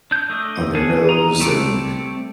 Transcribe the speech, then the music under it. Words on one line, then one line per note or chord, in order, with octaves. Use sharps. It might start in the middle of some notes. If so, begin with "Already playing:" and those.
on their nose, and
D4 G6
A3 D4 D#5
A#3 D4 G#4 A4
D#5 A#5
G3 A3 C4 A4 D5